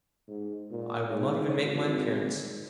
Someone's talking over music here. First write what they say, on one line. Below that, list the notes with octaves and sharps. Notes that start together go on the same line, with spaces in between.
"I will not even make my appearance."
G#2
A#2
G#2
G#1